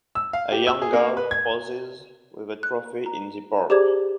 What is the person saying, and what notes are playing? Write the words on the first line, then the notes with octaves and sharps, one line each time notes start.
A young girl poses with a trophy in the park.
E6
F5
G4
E6
G#4
A#3
B4
G#6
F#6
A#5
G4 G#4 C5 D5 D6 G#6